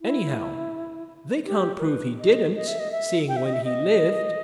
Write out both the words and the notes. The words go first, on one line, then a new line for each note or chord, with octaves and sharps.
Anyhow, they can't prove he didn't, seeing when he lived.
E4
G4
A#4
B4
D#5
D#5
E5
D#5
E5
G5
E5
D#5
E5
D#5